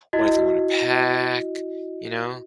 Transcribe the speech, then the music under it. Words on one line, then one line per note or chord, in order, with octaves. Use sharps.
What if they wanna pack, you know?
E4 F#4 D#5